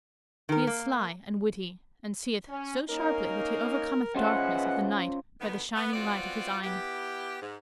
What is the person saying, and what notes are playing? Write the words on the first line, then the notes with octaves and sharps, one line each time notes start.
He is slye and wittie, and seeth so sharpely that he overcommeth darkness of the nighte by the shyninge lyghte of his eyne.
D#3 A#4
A#3
C#4
A#3 C#4 D#4 A#4
B2 E3 G#3 C#4 F4 C5 F#5
D2 D#3 B3
B3
B3 C4 F4 F#4 D5
B3 E4 G4
G#2